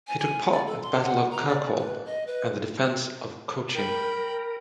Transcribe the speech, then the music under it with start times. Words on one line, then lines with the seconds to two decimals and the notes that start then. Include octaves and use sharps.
He took part in the Battle of Kircholm, and the defense of Chocim.
0.07 G#5
0.19 G#5
0.52 D5
0.67 A4
0.82 C6
1.02 F#5
1.31 A#5
1.48 D5
1.78 B4
2.06 D#5
2.27 B4
3.74 A#4 G5 B5